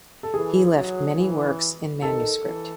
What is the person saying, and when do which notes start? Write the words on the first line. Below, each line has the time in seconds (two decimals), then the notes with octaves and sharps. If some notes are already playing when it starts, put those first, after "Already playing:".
He left many works in manuscript.
0.23 A4
0.34 E3 G#4
0.76 F#3
1.18 E3
2.02 D#3 A4
2.44 E3